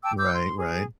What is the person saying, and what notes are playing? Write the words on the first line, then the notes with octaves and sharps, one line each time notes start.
Right, right.
G5 A5 D6 E6
D6 E6 G6
C6
G#4